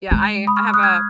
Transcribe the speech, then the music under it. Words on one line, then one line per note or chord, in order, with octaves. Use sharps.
Yeah, I I have a
G#3
B5 D#6
C#6 F6
D#6 F#6
F6 G#6